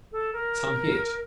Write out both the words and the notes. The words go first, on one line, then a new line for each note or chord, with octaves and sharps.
Some hit!
A4
A#4